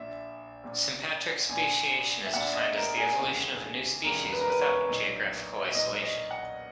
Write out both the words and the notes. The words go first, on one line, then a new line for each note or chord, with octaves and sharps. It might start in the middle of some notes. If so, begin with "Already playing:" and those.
Sympatric speciation is defined as the evolution of a new species without geographical isolation.
Already playing: A#1 A#2 E5
A#1 A#2
A#1 A#2 G#5
E5
A#1 A#2 F#5
D#5
A#4
G#4
E1 D#2 C#3 E3
E1 D#2 C#3 E3 A#4
B4
A#4
B4
C#5
B1 A#2
B1 A#2 D#5
D#5
F#5